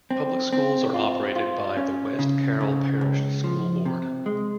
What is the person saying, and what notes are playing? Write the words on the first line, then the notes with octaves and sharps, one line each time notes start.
Public schools are operated by the West Carroll Parish School Board.
C4
C4
F4
F4
C#4
C#3
C#3
C#2
F3
C3
G#3